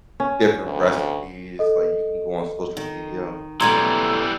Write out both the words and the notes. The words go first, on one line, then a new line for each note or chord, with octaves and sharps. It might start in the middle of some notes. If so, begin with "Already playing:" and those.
different recipes, like, you can go on social media
C#4
D2
A4 D#5
D#3
F#2 B2 E3 G3 A3 A#5 C6 G#6